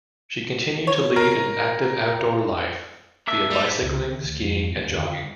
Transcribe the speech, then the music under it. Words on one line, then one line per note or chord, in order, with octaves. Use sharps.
She continued to lead an active outdoor life via bicycling, skiing, and jogging.
C#5
A#4
A#3 D4 E5
G3
C#2
D#3
D2
F2
D#2
D3